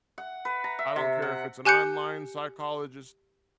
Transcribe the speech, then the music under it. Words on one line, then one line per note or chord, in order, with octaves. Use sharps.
I don't care if it's an online psychologist,
F#5
B4
A#5
E5
C3
F#5
G4 G#5 F#6 G6 C#7